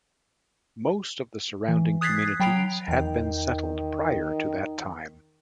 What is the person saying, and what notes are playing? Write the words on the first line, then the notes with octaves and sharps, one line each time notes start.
Most of the surrounding communities had been settled prior to that time.
E3
D#6 F#6 G#6 A6 B6 C7
F#3 G5 B5 C7 D7 F7
E2 D#3 G5